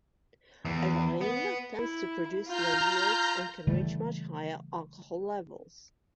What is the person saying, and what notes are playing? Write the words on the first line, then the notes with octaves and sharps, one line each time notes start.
Alvarinho tends to produce low yields and can reach much higher alcohol levels.
E2
B3
E4
F4 A#5 F6 G6
C#3 E3 G3 A3